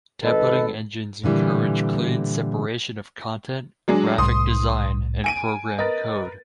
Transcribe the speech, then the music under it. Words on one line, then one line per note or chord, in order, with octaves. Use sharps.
Templating engines encourage clean separation of content, graphic design, and program code.
G#1 A4 B4 D#5
A#2 D3 E3 G3
F#3 G#3 D4
C2 A2 C6 D#6
G#5 D7 D#7
A#4 B4 D#5 A6